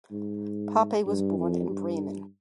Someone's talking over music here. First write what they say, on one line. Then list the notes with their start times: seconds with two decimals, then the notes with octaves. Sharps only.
Pape was born in Bremen.
0.11 G#2
1.06 G2
1.37 F2
1.70 G2